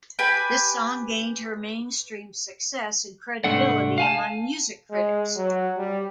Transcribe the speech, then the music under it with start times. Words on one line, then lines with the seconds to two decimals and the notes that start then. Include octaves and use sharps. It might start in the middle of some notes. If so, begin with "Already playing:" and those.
This song gained her mainstream success and credibility among music critics.
0.19 G4 B4 G#5 B5
3.44 C2 G#2 A3 D4 F#5
3.98 F5 G#5 A5
4.91 G#3
5.36 F#3
5.78 G3